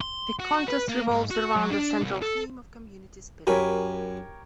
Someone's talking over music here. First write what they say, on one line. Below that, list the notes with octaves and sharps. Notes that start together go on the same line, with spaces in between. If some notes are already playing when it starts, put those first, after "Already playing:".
The contest revolves around a central theme of community spirit.
C6
F#4
B4
A#3
G#2
F#4
F#3
D4
C2
A4
F#2 G4 A#4 C#5 G#5 B5